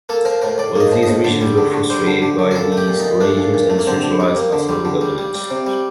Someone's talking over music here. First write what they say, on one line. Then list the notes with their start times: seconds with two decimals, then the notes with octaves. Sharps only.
All of these regions were frustrated by these arrangements and centralized Assam governance.
0.09 A#3 A4
0.25 F3 A#4
0.42 A2 A#4
0.58 A2 D5
0.75 A#3 D#5
0.92 F3
1.03 A2 D#5
1.24 D3 D5
1.41 G3
1.58 D3
1.74 D3
1.90 G3 C5
2.07 D3
2.22 D3
2.39 D3
2.51 A#4
2.55 A#2 A4
2.72 A3
2.77 G4
2.88 A#2
3.00 D#4
3.05 A#2
3.20 A3 D4
3.37 A#2
3.54 A#2
3.70 A3
3.79 A#3
3.87 D3 C4
4.03 D3
4.20 G3
4.36 A#3
4.52 D3
4.69 G3
4.85 D3
5.01 G3
5.18 G3
5.34 G3
5.50 C3
5.66 G3